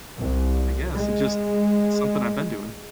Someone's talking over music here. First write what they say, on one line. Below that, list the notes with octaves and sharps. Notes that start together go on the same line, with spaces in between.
I guess it's just, it's something I've been doing.
C2
G#3